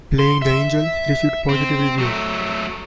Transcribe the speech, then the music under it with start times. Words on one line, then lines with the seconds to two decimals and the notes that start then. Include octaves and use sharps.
"Playing the Angel" received positive reviews.
0.19 C6
0.42 E5
1.49 C4
1.98 F#3 A3